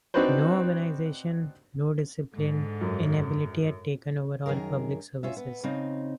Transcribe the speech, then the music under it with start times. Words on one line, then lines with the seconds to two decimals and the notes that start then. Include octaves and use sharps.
No organization, no discipline: inability had taken over all public services.
0.14 C4 D4 D#4 F#4 B4 C5
2.35 G#2 D3
2.81 F#2
4.46 F#2 D#3 G#4 A#4
5.23 C#4 F4 E5
5.37 B3
5.63 C#3 C4 D#4